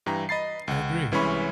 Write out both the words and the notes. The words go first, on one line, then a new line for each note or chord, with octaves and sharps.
I agree.
G2 E3 G5 A#5
D#5 B5 A6 C7
C#2 F#5
C2 E3 G#3 C#4 B5 C#6